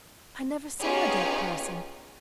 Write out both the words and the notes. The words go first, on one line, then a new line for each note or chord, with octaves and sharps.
'I never saw a dead person.
B3 C#4 D#4 F4 G4 G#4